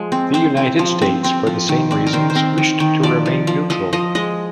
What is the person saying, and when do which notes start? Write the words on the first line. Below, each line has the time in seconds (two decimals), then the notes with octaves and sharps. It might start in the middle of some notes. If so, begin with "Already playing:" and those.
The United States, for the same reasons, wished to remain neutral.
Already playing: F3 G#3
0.12 C4
0.34 C4 C5
0.57 C4
0.79 F3
1.02 C4
1.24 C4
1.47 F3
1.69 D#3
1.91 C4 D5
2.07 A#4
2.13 D#3 C5
2.30 C5
2.35 C4 A#4
2.58 D#3
2.80 D#3
3.03 F3 D5
3.26 F3
3.47 F3
3.70 F3 D#5
3.93 F3 D#5
4.15 G#3 D#5